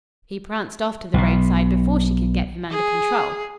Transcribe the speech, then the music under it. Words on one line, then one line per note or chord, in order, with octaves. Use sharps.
He pranced off to the roadside before she could get him under control.
B1 B2
G#4